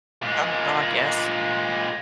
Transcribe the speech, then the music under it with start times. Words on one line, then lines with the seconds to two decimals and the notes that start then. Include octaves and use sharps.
Oh god, yes.
0.23 A#2 G#3